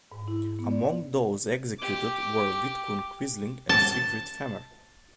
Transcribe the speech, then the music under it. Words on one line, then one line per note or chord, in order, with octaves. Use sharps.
Among those executed were Vidkun Quisling and Siegfried Fehmer.
G#2
E4
B3
D5
G4 D6
A5